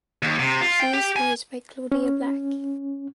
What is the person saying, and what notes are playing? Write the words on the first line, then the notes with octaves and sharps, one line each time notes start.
She is voiced by Claudia Black.
D#2
C3
F4
G5
G4
G#5
C#4